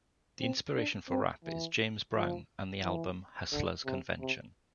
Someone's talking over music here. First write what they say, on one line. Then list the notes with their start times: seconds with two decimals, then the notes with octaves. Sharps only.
The inspiration for rap is James Brown and the album "Hustler's Convention".
0.41 C4
0.75 D4
1.09 C4
1.45 E3
2.13 F3
2.83 E3
3.52 D3
3.86 C3
4.21 C3